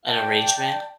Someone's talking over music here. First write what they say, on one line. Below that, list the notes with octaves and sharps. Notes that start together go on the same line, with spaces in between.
an arrangement?
D5 G5 A5